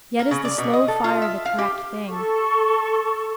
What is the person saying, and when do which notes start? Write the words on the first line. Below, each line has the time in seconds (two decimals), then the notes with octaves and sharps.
Yet is the slow fire the correct thing.
0.19 A#3
0.31 C#3
0.45 D5
0.58 B2
0.73 D#5
0.88 A4
1.04 F4
1.22 E5
1.45 F5
1.58 G4
2.07 A4 C#6